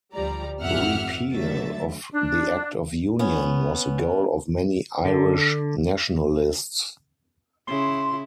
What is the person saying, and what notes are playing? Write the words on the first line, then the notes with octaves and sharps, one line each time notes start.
Repeal of the Act of Union was a goal of many Irish nationalists.
D2 F3 G3 D5 A#5
G#1 F2 G4 E5 F#5 F6
D3 F#3 A3 E5 A6
D4
B3 C#4
D3
C#3 E4 C6